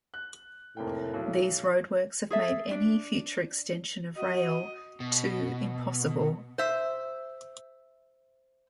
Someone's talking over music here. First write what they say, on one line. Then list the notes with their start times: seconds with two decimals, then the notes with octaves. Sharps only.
These roadworks have made any future extension of rail to impossible.
0.14 F#6
0.77 F1 A2 A#3 G5
1.14 B1
2.30 G#4 A4 E5
2.71 D4
4.17 F#4 D#5
5.00 B2
6.58 C5 E5